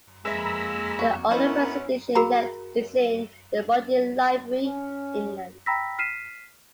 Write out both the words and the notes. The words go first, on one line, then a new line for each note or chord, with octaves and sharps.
The only first edition left is in the Bodleian Library in England.
F2 G#3 A#3 B4 E5 A#5 B5 E6
F#4
B3 C#4 E4 F#4 A#4 C5 D#5
F#4 G#4 A#4 F5 A#5 B5
C#4
G5 A#5 B5 E6 A#6 B6
F6 B6 C7 D#7 E7